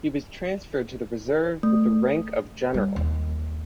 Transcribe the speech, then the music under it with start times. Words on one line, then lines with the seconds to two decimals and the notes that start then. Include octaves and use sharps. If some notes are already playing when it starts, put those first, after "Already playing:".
He was transferred to the reserve with the rank of general.
1.63 A3
2.74 G3
2.96 D#2